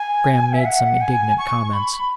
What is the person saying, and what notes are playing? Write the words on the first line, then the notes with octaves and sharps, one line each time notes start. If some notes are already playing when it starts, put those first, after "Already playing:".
Graham made some indignant comments.
Already playing: G#5
E5
F#5
G#5
C#6
B5